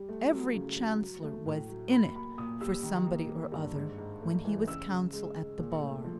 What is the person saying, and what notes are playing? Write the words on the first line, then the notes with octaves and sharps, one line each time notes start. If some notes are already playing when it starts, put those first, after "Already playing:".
Every Chancellor was "in it," for somebody or other, when he was counsel at the bar.
Already playing: G3
A3
F#3
C#3
F#3
F#3
A3
A2
F#3
A#3 B5
A#3 B5
A#2 D#6
G3 E6
D#3
A#3
A#3
G2
G#2
G#2
A3
E3
C#3 E6
C#3
G#3
G#3
A#2
A3
F3